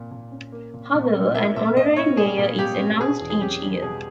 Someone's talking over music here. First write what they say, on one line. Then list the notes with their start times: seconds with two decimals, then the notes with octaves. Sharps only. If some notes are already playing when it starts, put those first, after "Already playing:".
However, an Honorary Mayor is announced each year.
Already playing: A#2 A#3
0.11 A#2
0.31 C#4
0.52 A#3
0.74 A#2
0.94 A#2
1.14 C#4
1.35 A#3 E5
1.56 A#2 E5
1.77 A#2 D#5
1.96 C#4 C#5
2.17 A#3 G#4
2.38 A#2
2.58 A#2 G4
2.80 C#4
3.00 B2 G#4
3.20 E2
3.30 G#4
3.41 C#4 G4
3.61 G3
3.82 B2 G#4